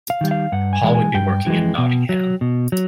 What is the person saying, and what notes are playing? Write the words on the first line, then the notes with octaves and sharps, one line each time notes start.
Paul would be working in Nottingham.
F5
D#3 G3
F5
G2 F#5
G#5
E3 G#3
G#5
G2 G5
E3 G#3
B2
F#3
B2
F#3